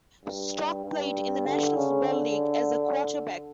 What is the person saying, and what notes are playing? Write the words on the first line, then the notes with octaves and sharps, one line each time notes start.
Strock played in the National Football League as a quarterback.
G2
G2
D3
C#3
D3